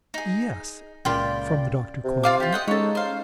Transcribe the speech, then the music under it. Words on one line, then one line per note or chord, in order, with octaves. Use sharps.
"Yes," from the doctor, quietly.
D#4 G#4
C#2 A#2 F4 G4 D5 G5 B5
C3
F4 F5 D6
F4 G4
D#5 F#5 G5
G#3 C#4 D#4 A4 C#5
C5 F5